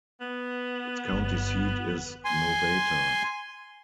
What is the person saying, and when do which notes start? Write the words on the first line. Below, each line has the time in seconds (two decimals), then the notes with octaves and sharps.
Its county seat is Nowata.
0.21 B3
1.13 G1
2.25 G#5 C6